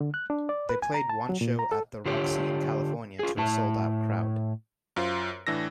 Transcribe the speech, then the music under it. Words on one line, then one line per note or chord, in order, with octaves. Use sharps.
They played one show at The Roxy in California to a sold-out crowd.
D3
F#6
D4
D5
B4
G#5
A#5
A5
F#3
A#2
A#5
A4
D3 F4 G4 C#5
F4 G#4
A2 E4 A5
F#2 F4 C5
A2 E3 D4 E6 A#6